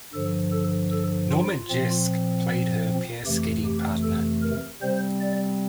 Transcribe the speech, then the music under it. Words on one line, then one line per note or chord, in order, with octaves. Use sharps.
Norman Jeschke played her pair skating partner.
G2 D3 F3 A4
A4
A4
F4
A#2 F3 C4
F2 C3 E3 A3 G4
G4
A4
A#4
C3 G3 C4 C5
D5